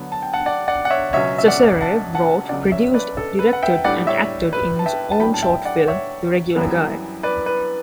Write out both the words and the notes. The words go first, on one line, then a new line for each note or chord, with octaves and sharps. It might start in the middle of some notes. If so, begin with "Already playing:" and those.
Cecere wrote, produced, directed and acted in his own short film, "The Regular Guy".
Already playing: D2 D3 F#3 B3 D4
A5
G5
F#5 A5
D5 F#5
D5 F#5
F#5
C#5 E5
C#2 B2 F#3 C#4 C#5 E5
E5
D5 F#5
F#5 A5
F#5 A5
C#2 C#3 F#3 D5 F#5
C#5 E5
B4 D5
A4
B4
F#5
E5 G5
A2 G3 D4 D5 F#5
C#5 E5
B4
A5
E5 G5
A5
A2 F#3 B3 D4 G5 B5
A5
E5 G5
D5 F#5
C#5 E5
F#2 E3 G3 B3
B4 D5
B4